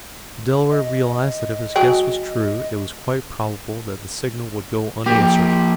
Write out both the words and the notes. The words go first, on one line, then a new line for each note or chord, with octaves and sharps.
The Delaware realized that if his guess was true it was quite probable that the signal would go unanswered.
D#5
F#3 G#4 G5
F3 A#3 G4